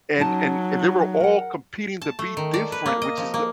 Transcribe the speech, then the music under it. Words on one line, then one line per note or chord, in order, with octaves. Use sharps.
And and they were all competing to be different, which is the
F#3 C#4 D#4 A5
A#4 F#5
A5
A3
D#3
D5
B4
A#3
D#5
F3
A#3